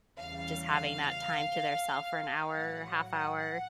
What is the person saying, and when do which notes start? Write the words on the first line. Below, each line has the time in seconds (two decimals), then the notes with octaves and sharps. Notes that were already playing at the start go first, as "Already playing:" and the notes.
just having that time to their self for an hour, half hour
0.18 E2 C#3 E3 G3 F5
2.51 A2 F#3 F#5
3.09 F#5
3.38 F#5